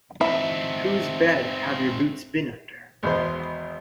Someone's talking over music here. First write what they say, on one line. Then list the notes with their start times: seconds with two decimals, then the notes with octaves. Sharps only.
Whose Bed Have Your Boots Been Under?
0.21 C4 D#4 E4 E5
3.03 G#1 E2 B2 C5